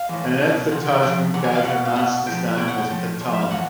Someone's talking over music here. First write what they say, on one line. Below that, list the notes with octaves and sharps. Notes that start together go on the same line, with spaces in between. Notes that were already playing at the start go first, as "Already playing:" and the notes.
An advertisement gave her masters name as Patton.
Already playing: F5
A2 E3
B2
C3 E3 F#5
G5
C3 F3 G5
C3 E3 F#5
G#5
F5
B2 F#5
F5
B2 F#5
A2 F3 G5
B2 G5
F#5
G5
A2 F3
A#2 F3
E5
F5
A2 E3 F#5